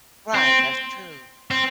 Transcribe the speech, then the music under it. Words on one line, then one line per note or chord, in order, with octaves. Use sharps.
Right, that's true.
C4
C4